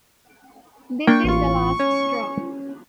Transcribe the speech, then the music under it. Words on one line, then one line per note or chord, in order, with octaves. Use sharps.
This is the last straw.
A#3 D4 G5 C#6
A1 F4 C#6
C#4